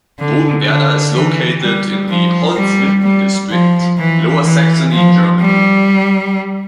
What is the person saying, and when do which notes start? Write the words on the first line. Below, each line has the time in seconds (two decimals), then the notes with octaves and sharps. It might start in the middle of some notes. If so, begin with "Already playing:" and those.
Bodenwerder is located in the Holzminden district, Lower Saxony, Germany.
0.19 D3
0.66 D3
1.14 E3
1.61 G3
2.09 F3
2.56 G3
3.03 G3
3.50 F3
3.98 E3
4.45 E3
4.92 F3
5.40 G3